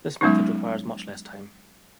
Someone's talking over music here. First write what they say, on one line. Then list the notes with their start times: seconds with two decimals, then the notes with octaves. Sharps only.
This method requires much less time.
0.21 F#3 G#3 B3 C#4 D#4